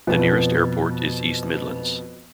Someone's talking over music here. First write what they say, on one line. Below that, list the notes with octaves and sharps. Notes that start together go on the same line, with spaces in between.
The nearest airport is East Midlands.
F2 B2 F3 B3